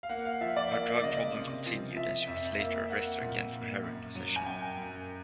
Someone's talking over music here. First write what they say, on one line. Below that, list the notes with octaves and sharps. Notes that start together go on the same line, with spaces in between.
Her drug problem continued and she was later arrested again for heroin possession.
F5
A#3 F#5
F5
F3 E5
D5
A#3 D5
D5
C#3 D#5
C3
F3
F3 E5
F2 E5
A#3 E5
A#3 F#5
A#2
A#3
F#2
F#3
G#5
F#2 G5
F#2